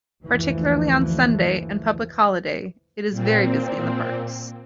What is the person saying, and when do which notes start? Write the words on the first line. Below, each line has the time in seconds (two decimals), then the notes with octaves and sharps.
Particularly on Sunday and Public Holiday, it is very busy in the parks.
0.23 F#1 D2 E3 F3
3.11 A#2 C4